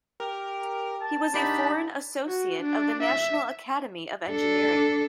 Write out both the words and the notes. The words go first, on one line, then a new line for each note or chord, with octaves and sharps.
He was a Foreign Associate of the National Academy of Engineering.
G4 A#4
A5
A#2 D4 D#4 G4 B5
F#4
D4
E5
D4 A4